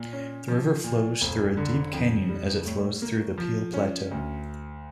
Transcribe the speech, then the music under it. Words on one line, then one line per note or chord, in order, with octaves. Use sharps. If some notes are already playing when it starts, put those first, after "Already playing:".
The river flows through a deep canyon as it flows through the Peel Plateau.
Already playing: A#2
C#4
F3
A#2
F1
D3
F2
G3
A2
A#3
F3
C#4
D2